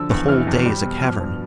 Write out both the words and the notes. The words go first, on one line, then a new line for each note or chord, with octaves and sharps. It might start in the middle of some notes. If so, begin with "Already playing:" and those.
The whole day is a cavern.
Already playing: D3 F3 E6
E2
E3 F6
F2
G3
B2
F3 F6
G2